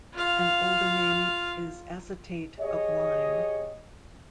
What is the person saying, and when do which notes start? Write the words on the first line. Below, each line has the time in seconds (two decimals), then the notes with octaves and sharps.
An older name is acetate of lime.
0.13 F4 F5
2.60 G4 G#4 C#5 D#5